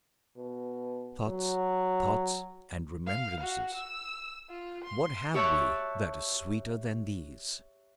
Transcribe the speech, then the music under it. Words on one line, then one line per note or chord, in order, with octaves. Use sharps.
Thoughts, thoughts and remembrances, what have we that is sweeter than these?
B2
F#3
F5
F#4
E6
F4
C6
G4 C#5 E5 A5 C#6 F#6